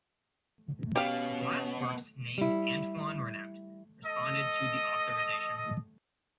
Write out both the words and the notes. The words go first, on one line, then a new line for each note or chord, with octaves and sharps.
A glassworks named Antoine Renaut responded to the authorisation.
B2 C#4 G4 F5
G3 E4
A4 D#5